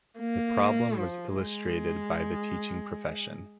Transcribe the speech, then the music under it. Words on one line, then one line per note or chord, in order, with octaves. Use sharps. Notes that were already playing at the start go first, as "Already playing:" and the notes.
The problem was illustrated by the teaching profession.
A#3
F3
G#3